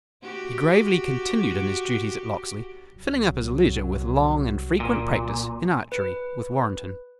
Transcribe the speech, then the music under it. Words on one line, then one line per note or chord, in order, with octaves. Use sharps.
He gravely continued in his duties at Locksley, filling up his leisure with long and frequent practice in archery with Warrenton.
F#4 G4
C2 F#3
A#2
B4